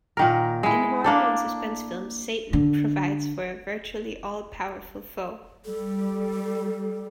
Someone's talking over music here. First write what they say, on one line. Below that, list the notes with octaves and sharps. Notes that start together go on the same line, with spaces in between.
In horror and suspense films, Satan provides for a virtually all-powerful foe.
A#2 D#3 A#4
G#3 E4
A#3 D4 A4
D3
G3 A4